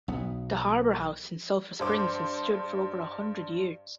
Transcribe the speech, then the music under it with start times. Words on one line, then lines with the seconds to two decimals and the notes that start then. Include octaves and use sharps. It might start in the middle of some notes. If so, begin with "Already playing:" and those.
The Harbor House in Sulphur Springs has stood for over a hundred years.
0.08 B1 B3
1.80 G2 C5 D6